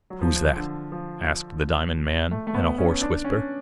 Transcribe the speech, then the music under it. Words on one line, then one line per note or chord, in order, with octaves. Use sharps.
"Who's that?" asked the diamond man, in a hoarse whisper.
F#3
F3
D3
F3
A3
A3
B3
C#4
D4
C#4